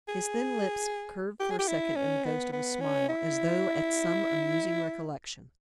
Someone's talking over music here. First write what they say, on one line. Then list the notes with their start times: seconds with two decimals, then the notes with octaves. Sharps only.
His thin lips curved for a second in the ghost of a smile, as though at some amusing recollection.
0.08 G#4
1.40 G4
1.50 G#4
1.59 G4
1.68 E4
1.96 C#4
2.25 B3
2.53 B3
2.81 C#4
3.09 E4